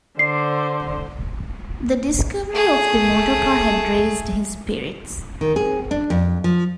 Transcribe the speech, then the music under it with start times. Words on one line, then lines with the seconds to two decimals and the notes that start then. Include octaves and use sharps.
The discovery of the motorcar had raised his spirits.
0.19 D3 C5 D5 C7
2.52 A3 G#4
5.41 D#3
5.56 G#4
5.91 D4
6.10 F2
6.44 F3